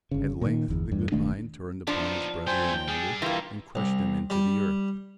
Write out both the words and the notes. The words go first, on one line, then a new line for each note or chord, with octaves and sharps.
At length the Good Mind turned upon his brother in anger, and crushed him into the earth.
G1 C#3
A#2 D#3
G1 E2
E2 G2
E1 D#3 A3 D4
F3 B3 D4 D#4
F#2 A3 C5 G5 G#5
G3 D4 G#4
E3 A#3 F4 G4
C2
G3